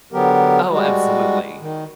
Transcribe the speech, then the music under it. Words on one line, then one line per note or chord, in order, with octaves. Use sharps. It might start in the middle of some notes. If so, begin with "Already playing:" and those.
Oh, absolutely.
D3 F#3 B3 G4 A#4
G3 G#3 F#4
D#3